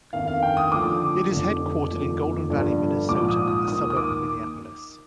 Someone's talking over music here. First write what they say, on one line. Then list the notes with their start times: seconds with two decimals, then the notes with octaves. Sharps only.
It is headquartered in Golden Valley, Minnesota, a suburb of Minneapolis.
0.13 G1 F2 D#3 F5
0.27 F5
0.43 G5
0.57 D#6
0.72 D2 D3 F3 D6
1.31 F1 F2 D3
1.91 F1 D#2 D3 F3
2.49 G1 G2 D3 F3
3.08 A#1 G#2 F3 D6
3.28 D#6
3.47 D#6
3.68 D#2 D#3 D#6
3.90 D#6
3.97 D6